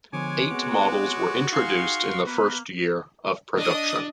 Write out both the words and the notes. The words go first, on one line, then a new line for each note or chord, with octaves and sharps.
Eight models were introduced in the first year of production.
D3 F3 G#3 B3 C#5 G#5 D6
B3 C4 F#4 G#4
D#4 G#4 F5 C6 C#6 G#6
A#3 B3 B4
D4 D#5 D#6